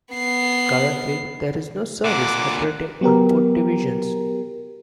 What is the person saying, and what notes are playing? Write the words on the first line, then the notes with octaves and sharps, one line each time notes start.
Currently, there is no service operating on both divisions.
B3 C7
A#2 D3 F#5 D6
F#3 B3 G4 A#4